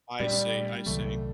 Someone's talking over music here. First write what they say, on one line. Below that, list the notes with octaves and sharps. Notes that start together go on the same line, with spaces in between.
I see I see.
A#2 G3 A3 D4
C2 C3 D#3 F#3 A3